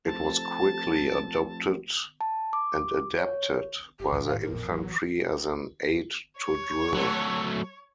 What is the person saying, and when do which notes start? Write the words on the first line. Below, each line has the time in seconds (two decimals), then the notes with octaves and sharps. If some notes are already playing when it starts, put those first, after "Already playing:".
It was quickly adopted and adapted by the Infantry as an aid to drill.
0.06 F3 A3 C4 A5
2.21 A5
2.53 D6
3.18 C#5
4.00 G1 G4
4.13 E1 C2 G#2 D#3 B4
4.26 F2 A2 F5
4.41 A#4
4.52 A1 A#2 B3
4.71 E3 F#3
6.38 C#5
6.94 F#3 A3